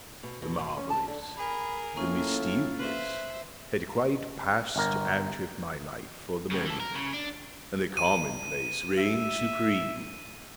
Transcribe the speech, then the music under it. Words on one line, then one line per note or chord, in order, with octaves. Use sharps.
The Marvellous--the Mysterious--had quite passed out of my life for the moment: and the Common-place reigned supreme.
B2
B2
B2
C#4
A5
D3
G#4 A#4 B5
A2 A#3 C#4 F4 A4 F5
B4 C5 E5
G1 A#4
A2 C#3
E3 A4
A#4
C#3
D4
D#7
E5